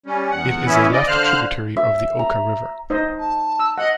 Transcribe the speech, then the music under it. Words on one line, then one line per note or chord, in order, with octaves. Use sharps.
It is a left tributary of the Oka River.
G3 C#4
E2 F#5
E3 B3 C#4 E4
D5 D#5
D3 C5 F5 F6 F#6
E5
A#5
D#4 C5 D#5
A5
E6
D#5 F#5